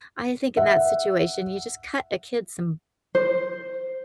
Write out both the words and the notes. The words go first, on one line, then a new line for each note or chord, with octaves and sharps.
I think in that situation, you just cut a kid some
E5 F#5
C5